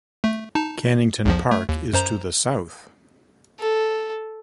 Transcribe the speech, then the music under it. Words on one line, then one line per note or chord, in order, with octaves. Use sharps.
Kennington Park is to the south.
A3
D#4 A5
B1 E2 F3
A3
D#2
F#2 C5 A#5
A4